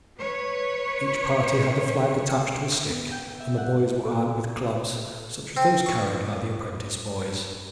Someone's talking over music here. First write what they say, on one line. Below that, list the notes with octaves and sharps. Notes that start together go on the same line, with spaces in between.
Each party had a flag attached to a stick, and the boys were armed with clubs such as those carried by the apprentice boys.
B4 C#5
B3
G5
E5
F#5
A4
C4
C#6